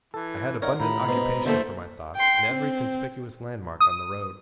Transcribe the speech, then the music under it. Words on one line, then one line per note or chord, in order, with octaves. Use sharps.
I had abundant occupation for my thoughts, in every conspicuous landmark on the road.
E3 A4
D3 D#4 A#4 C#5 D5 F#5
A2 E4 F4 G4 A#5 B5
B2 G#3 C5
D3 G3 A3 A#3 C4 E4 A4 C5
G5 C6
C4
D#6